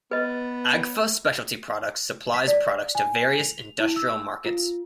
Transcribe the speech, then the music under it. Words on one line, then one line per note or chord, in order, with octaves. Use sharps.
Agfa Specialty Products supplies products to various industrial markets.
B3 B4 D#5
B6
D5
G#5
F7
E4
E6
F4